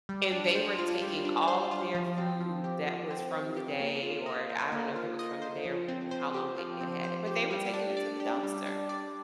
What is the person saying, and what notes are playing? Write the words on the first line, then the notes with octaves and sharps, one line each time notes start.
and they were taking all of their food that was from the day, or I don't know if it was from the day or how long they had had it, but they were taking it to the dumpster.
G3
D4
C5
F4
G3
D4
C5
F4
F3
C4
F3
G4
F3
C4
F3
G4
A#3
F4
D#5
C5
A#3
F4
D#5
C5
F3
C4
C5
G4
F3
C4
C5
G4
G3
D4
D5
G4
G3
D4
D5